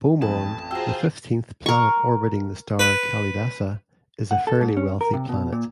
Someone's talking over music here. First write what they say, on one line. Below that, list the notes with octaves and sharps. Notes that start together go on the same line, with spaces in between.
Beaumonde, the fifteenth planet orbiting the star Kalidasa, is a fairly wealthy planet.
A1 F2 B4 A5
F4 F#4 G#4 C5 G5 A#5 E6
A#4 C#6
B4
F#5
A4
G#2
C#4
A#4
C3
B2
A#2